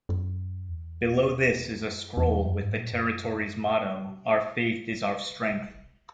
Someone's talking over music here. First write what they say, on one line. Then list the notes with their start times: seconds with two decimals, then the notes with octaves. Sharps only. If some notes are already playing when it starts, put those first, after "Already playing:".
Below this is a scroll with the territory's motto, "Our faith is our strength".
0.09 F#2
0.69 E2
1.88 F#2
2.17 E2
2.47 F#2
2.63 G#2
2.78 A#2
2.93 F#2